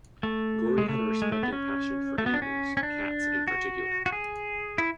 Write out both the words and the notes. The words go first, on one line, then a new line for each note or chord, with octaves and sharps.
Gorey had a respect and passion for animals, cats in particular.
A3
G#3
A3
G#3
A3
B3
C#4
A3
B3
D4
C#4
C#4
D4
F#4
F#4
G#4
E4